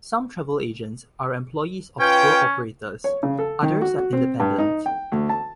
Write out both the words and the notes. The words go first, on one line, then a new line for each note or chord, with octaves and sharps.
Some travel agents are employees of tour operators, others are independent.
C#4 F4 B4 G5
C#5
C#3
A4
D#3
F#4
F#4
C4
G2
D#4
G5
D2
A5